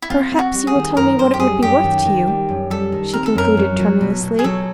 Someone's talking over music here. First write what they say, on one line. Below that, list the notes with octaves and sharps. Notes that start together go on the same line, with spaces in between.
"Perhaps you will tell me what it would be worth to you," she concluded tremulously.
E4
C4 F4
C4
F#4
G3
G#4
D#3
F#2 A#4
F#2 C5
G4
G3 G#4
F#2 G4
D#3
D#3
G3
F#2
G3 A4
D#3
C4 A#4
A4
F#2 A#4
F#3
F#3
B2
B2
G#4
F#3 A4